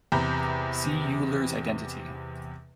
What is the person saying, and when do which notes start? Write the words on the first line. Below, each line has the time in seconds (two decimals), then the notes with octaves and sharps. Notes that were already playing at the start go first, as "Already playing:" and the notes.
See Euler's identity.
0.12 E2 C3 A#5 B5 G6